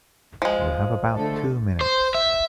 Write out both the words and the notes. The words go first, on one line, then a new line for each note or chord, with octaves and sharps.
You have about two minutes.
F3 G#3
D3 A3 A4
C5
E5